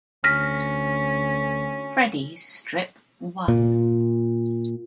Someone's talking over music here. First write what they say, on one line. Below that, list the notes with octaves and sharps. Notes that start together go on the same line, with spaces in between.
Freddie's strip won.
D2 C#4 F6 A#6 B6
A#2